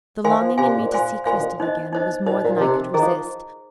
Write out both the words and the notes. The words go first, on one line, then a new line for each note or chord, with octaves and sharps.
The longing in me to see Cristel again, was more than I could resist.
D#3 C5 F5 G#5 C6
F3
C3 C5 F5 G#5 C6
A#2
G#2
A#2
C5 F5 G#5 C6
A#2 C5 F5 G#5 C6
D#3
A#2
D#4 C5 D#5
D#4 C5 D#5
A#2 D#4 C5 D#5
A#2
D#3
C3 D#4 C5 D#5
D#3 G#4 C5 D#5 A#5
F3